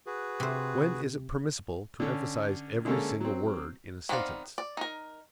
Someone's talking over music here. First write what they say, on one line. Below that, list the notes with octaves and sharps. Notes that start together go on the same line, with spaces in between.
When is it permissible to emphasize every single word in a sentence?
F#4 G#4 B4
C3 C5
D3 C#4
D3 G#3 A#3 C#4 A4
F#3 C4
D#3 B3 C4 D5 F5
D5
D#4 A#4